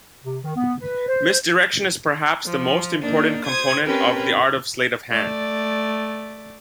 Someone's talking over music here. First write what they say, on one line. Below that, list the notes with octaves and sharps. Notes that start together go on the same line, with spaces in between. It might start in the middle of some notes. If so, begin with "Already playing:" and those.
Misdirection is perhaps the most important component of the art of sleight of hand.
C3
D#3
B3
B4
C5
F3
A#3 D4 D#4
C5 D#6 G#6
C4 C#4 G4 A#4 B4
A3 D5